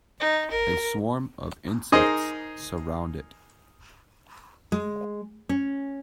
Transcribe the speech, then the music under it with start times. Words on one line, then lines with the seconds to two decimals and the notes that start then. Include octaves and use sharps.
A swarm of insects surround it.
0.20 D#4
0.51 A#4
1.92 D#4 G#4 A#4 C5 D#5
4.72 G#3
5.49 C#4